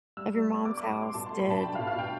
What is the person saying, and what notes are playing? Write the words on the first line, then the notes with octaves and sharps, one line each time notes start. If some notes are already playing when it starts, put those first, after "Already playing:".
of your mom's house, did
G3 E6
G3
B3
B3 D6
D6
B3
D6
G3 C6
B2 A5
A3 C6
B5
B2 A5
D4 G5
F5
B2
F5
B2 G5